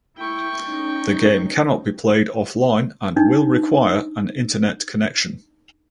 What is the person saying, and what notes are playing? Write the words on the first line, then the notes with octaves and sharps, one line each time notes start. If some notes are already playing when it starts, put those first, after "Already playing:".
The game cannot be played offline and will require an internet connection.
E4 G5 C#6
C#4 D#4
D4 D#4